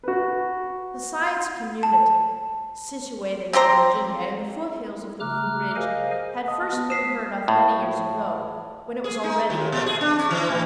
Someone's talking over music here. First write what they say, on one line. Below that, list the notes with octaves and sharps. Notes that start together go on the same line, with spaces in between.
The Science Community, situated in Virginia, in the foothills of the Blue Ridge, had first been heard of many years ago, when it was already a going concern.
F#4 B4
A5
C4 G4 C5 A#5
C#3 A3 A#5 D6 F6 F#6
G#4 A#4 C5 D#5 F5 G#5
D#5 A5 D#6
B3
D#6 B6 C7 E7
A2
G#4
D#4
D#2
A#2
G#4
D4
C#4
E3
A2